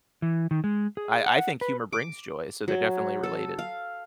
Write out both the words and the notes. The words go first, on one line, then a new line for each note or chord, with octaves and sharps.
I I think humor brings joy, so they're definitely related.
E3
D#3
G#3
G#4
F#5
B4
D6
F#3
A4
F5